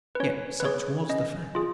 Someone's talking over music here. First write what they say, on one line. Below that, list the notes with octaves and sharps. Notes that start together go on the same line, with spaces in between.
Yet such was the fact.
B4
C#4 C#5
B4
G#4 C#5
C#4 D#5
F4 G#4